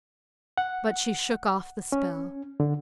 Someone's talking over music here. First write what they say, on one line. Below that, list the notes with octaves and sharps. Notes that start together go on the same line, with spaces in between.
But she shook off the spell.
F#5
C#4
D3